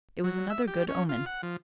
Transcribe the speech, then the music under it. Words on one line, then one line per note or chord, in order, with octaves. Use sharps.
It was another good omen.
F#3
E5
G4
C#4
F4
F#5
F3